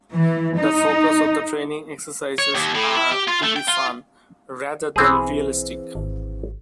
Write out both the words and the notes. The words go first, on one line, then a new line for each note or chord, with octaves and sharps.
The focus of the training exercises are to be fun, rather than realistic.
E3
D#4
C#5
D#2
A2
E4
G4
F4
A3
G5
F4
B1 E3 C4 G#4
G#1